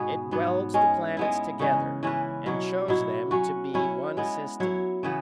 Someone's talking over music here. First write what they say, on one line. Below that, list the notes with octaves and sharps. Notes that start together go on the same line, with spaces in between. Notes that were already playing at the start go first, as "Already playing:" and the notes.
It welds the planets together, and shows them to be one system.
Already playing: G#2 B2 G#3 B3 F#4 G#4
G#2 F#3 B3
G#3 C#4 G#4
G#3 B3 E4
C#3 E3 G#3 C#4
E3 C#4 E4 B4
B2 F#3 E4
B2 F#3 E4
F#3 C#4 F#4
F#3 C#4 E4
G#3 B3 E4
F#3 E4 C#5
C#3 E3 B3